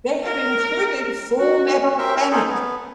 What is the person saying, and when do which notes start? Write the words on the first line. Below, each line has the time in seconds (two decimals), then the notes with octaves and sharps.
They had included Full Metal Panic!
0.23 A#4
1.38 F#4
1.99 G4 A#4 C5 E5
2.16 E4 A#4
2.32 C#4 D#4 G#4 A4 C5
2.47 B3